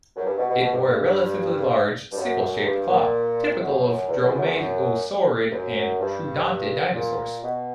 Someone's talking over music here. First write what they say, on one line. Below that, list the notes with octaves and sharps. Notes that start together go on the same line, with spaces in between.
It bore a relatively large, sickle-shaped claw, typical of dromaeosaurid and troodontid dinosaurs.
F#2
G2
B2
B2
B2
G2
G2
F#2
G2
A#2
F#2
E2
F#2
E2
F#2
E2
F#2
F#2
G2
A#2
B2